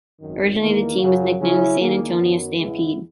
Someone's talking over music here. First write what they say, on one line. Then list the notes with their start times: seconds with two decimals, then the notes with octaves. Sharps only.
Originally, the team was nicknamed the San Antonio Stampede.
0.20 G#1 F#2 D#3
0.59 E2 D#3 A#3
0.99 F#2 C#3 F#3
1.38 C#3 F#3 C#4 E4
1.78 E2 D#3 A#3 D#4 G#4
2.17 F#2 D#3 F#3 B3
2.57 E2 C#3 G#3 B3 E4